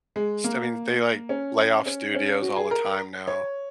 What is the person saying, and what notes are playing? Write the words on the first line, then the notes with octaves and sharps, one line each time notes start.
just, I mean, they, like, lay off studios all the time now.
G#3
A#3
C#4
C#4
C#4
F#4
G#4
A#4
C#5